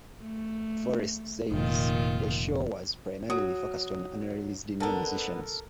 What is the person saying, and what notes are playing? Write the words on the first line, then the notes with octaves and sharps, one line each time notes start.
Forrest says, The show was primarily focused on unreleased new musicians.
A3
F1 A#2 D#3 F4
F#3 D#6
D3 B3 A4 A#4